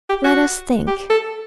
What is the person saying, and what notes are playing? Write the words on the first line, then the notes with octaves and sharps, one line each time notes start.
Let us think.
G4
F#4
G4
A4